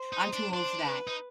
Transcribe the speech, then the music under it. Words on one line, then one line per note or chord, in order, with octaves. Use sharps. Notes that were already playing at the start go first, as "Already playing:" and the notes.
I'm too old for that.
Already playing: C5
D#4
D4
D4 C5
B4
D#4